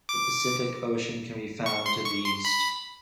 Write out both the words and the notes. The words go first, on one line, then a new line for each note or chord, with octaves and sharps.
The Pacific Ocean can be found to the east.
D6
C#6
C6
C#6
C6
B5